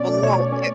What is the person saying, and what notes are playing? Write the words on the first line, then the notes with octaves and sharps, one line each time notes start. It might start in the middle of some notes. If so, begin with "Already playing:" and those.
Well, no, it
Already playing: B2 C#4 D5
A3
B2 C#5
B2
C#4